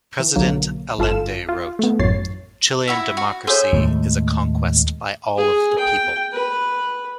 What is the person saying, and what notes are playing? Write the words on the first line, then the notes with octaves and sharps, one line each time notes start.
President Allende wrote: Chilean democracy is a conquest by all of the people.
E3
B1 D3 F#3 A#3
G1 F4 A4 F5 E7
F4
A3 B3
A1 F#2 A2 C#5 A6 C7
E4 F#4 E5
F#4
G#4 A4 C5 C#5 E5
D#2 A2 G#3 A3
G#4
G5
B4